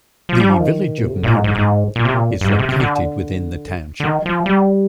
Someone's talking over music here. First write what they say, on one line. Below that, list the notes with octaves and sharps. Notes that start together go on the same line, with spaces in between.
The Village of Marion is located within the township.
F3
G3
F3
D#3
A#2
C3
D3
A#2
G#2
G#2
G#2
A#2
C3
A#2
G2
G#2
C3
C3
D3
D3
D#3
F3
G3